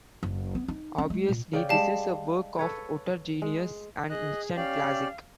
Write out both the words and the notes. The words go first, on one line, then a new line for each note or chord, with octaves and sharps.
Obviously this is a work of utter genius, an instant classic.
F#1
B3
D#4
C#4
G#3
A#2
C#3 D5 G5
G3 G#3 F5 A5
A4 B4 C#5
G#3
G#4 D#5 F#6
C#4 G4 D5 F5